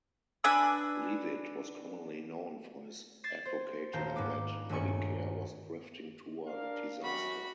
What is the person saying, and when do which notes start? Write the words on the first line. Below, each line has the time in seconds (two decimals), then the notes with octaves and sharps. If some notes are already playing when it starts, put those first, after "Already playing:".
Leavitt was commonly known for his advocating that Medicare was drifting toward disaster.
0.44 D4 B4 G#5 E6
3.24 G#6 A6 C7 E7
3.45 C5
3.93 D#1 F5 A5 A#5 G6 C7
4.16 G#2 A#3 B3 D6
4.69 D#1 G2 A3 G#5 C#6
6.48 D4 A#4 F5
7.01 F#2 G3 F#4 B5